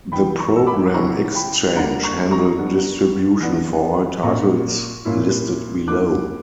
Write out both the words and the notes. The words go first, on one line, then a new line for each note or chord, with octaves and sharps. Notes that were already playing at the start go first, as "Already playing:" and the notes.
The Program Exchange handled distribution for all titles listed below.
E3 B3 D4 G5 B5
A#5 C#6
E6
B5 D6
C#3 F#3 C#4 E4 A#5 C#6
G5 B5
D3 G3 A#3 D4 F#5 A#5
A#5 C#6
A#5 C#6
D3 G3 B3
E3 B3 D4
A#2 F#3 A#3 D4 A#5 C#6
A#2 A#3 C#4 E4
D3 A#3 E4 D6 F#6